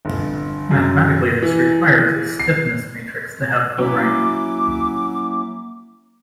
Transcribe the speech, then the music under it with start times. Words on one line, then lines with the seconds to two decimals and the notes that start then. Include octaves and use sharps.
Mathematically, this requires a stiffness matrix to have full rank.
0.05 G1
0.71 F#2
1.42 E3
2.40 C7
3.78 F#3 A#3 C#4 E4 D6